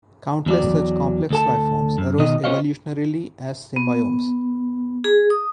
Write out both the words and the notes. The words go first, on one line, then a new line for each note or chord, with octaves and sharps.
Countless such complex life forms arose evolutionarily as symbiomes.
E2 F#3 D5
D2 A4 A5
F#2
B2 D#3 D#5
C#4 F4 C5 C#5 D#5 F5
B3
G#4
D#6